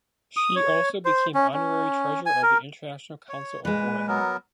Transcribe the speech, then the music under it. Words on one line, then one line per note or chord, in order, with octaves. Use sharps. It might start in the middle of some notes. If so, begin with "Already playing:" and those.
She also became honorary treasurer of the International Council of Women.
D#6
C#5
C5
C#4
C#4
G#5
A#4
C#5
A#2 G#3 B4
F#3 B3 A#4